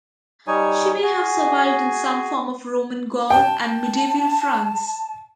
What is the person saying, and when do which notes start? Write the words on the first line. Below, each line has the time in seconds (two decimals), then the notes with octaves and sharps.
She may have survived in some form in Roman Gaul and medieval France.
0.47 G3 D#4 C#5 G#5
1.02 F#4 G#4 G#5
3.30 G5 A5